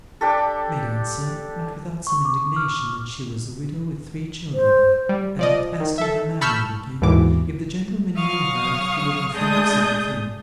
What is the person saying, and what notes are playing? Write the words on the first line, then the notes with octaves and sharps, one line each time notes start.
Kit made answer, not without some indignation, that she was a widow with three children, and that as to her marrying again, if the gentleman knew her he wouldn't think of such a thing.
D4 G4 A4
C#6
D6
F6
C5
G3
F3 D5 D#5
D#3
A4 E5
A5 B5 C#6 E6 F6 G6
D#2 G#2 B2 E3 D6
F#3 F5 C#6 D#6 F6
G#3 A3 D4 G#4 D#6 G6